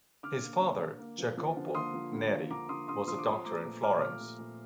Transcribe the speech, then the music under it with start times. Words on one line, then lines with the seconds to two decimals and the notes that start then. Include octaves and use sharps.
His father, Jacopo Neri, was a doctor in Florence.
0.23 D3 D6 F6
0.43 A#3
0.61 D3
0.80 D3
0.99 A#3
1.18 F3
1.37 F3
1.57 D3
1.74 A#3 C6 D#6
1.94 F3
2.13 D3
2.31 A#3
2.51 D3 A#5 D6
2.69 D3 C6 D#6
2.88 D3 C6 D#6
3.08 F3 C6 D#6
3.19 D6
3.26 C4 C6 D#6
3.45 A3 A#5 D6
3.64 A#2
3.83 A#2 D6 F6
4.01 A3 D6 F6
4.21 A#2
4.39 A#2